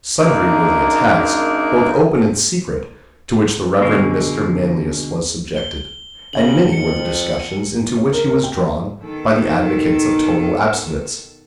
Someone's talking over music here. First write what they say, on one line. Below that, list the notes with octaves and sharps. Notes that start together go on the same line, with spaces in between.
Sundry were the attacks, both open and secret, to which the Reverend Mr. Manlius was subjected, and many were the discussions into which he was drawn by the advocates of total abstinence.
F#2 A#3 D4 D#4 G#4 A#4
B2 D3 G#3
G7
C#3 F#7
F2 C#7
C#5
A#4
A#4
G5
B2 D#3 A4